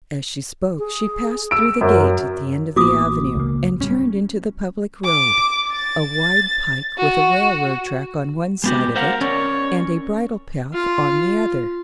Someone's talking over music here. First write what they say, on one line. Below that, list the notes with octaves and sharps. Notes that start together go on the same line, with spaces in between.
As she spoke, she passed through the gate at the end of the avenue and turned into the public road, a wide pike with a railroad track on one side of it and a bridle-path on the other.
G#4
E6 D7
F#2 F#3 A#4
A1 A#3 B3 F#4 D6 D#6
C#2 A#3
G3 C#4
D6
A6
F#4
G#3 B3 F#4 G4
A#4 C5 F5 F#5
C#4 A#4 C#5 D5
F4